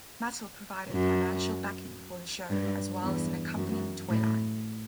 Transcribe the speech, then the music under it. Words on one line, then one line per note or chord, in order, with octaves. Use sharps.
Mattel provided financial backing for the show, as well as an accompanying toyline.
F#2
G2
E2
F#2
A2